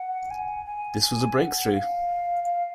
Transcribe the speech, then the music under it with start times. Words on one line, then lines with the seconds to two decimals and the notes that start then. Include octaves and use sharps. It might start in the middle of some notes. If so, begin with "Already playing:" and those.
This was a breakthrough.
Already playing: F#5
0.30 G#5
0.66 G#5
1.01 G#5
1.37 F#5
1.73 F5
2.44 F5